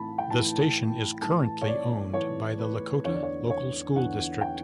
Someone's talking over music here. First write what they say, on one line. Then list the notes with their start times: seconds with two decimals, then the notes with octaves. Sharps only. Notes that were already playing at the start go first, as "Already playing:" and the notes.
The station is currently owned by the Lakota Local School District.
Already playing: A2 E3 A5 B5
0.18 G5
0.30 A2 E3 A5
1.21 A2 E3 A5
1.62 C#5
1.67 D5
2.13 A2 E3 C#5
2.58 B4
3.05 E2 D3 C#5
3.14 D5
3.23 C#5
3.50 C#5
3.96 E2 D3 F#5
4.41 G5